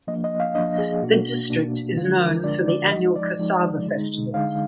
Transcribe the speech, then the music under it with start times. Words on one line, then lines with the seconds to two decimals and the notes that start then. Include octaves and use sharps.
The district is known for the annual Cassava Festival.
0.07 F3 A#3 D4 D#5
0.24 D#5
0.40 F5
0.55 F3 A#3 D4 D#5
0.78 G#4
1.02 B2 A#3 D4 F#4
1.50 B2 A#3 D4
1.97 D3 F3 G#3 D4 F4
2.20 A#4
2.44 D3 F3 G#3 D4 D5
2.68 D5
2.92 F3 G#3 D#4 D#5
3.16 D5
3.39 F3 G#3 D#4
3.86 D3 G#3 D#4
4.34 D3 G#3 D#4 F5